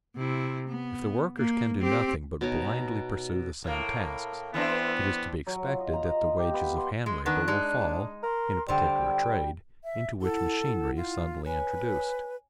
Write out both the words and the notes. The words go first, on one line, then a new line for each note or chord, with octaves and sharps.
If the workers can do nothing but blindly pursue the same tasks, it is to be expected that the wages of hand-labor will fall in a particular trade into which machinery is suddenly introduced.
C3 E4
B3
A#3
C4 G4
B2 D#4 C#5
A2 A#3
E3 B3 C4 D4
F#3
F4
D#5
A#5
D#5
F4
G4
B3
C6
G#3 C6
D#3 B3 D4 F#6
G#3 D4 D#4
A#4 C6
D3 G3 C5 G5
E5
E4 A4 F#5
F4
B4 C#5 G#5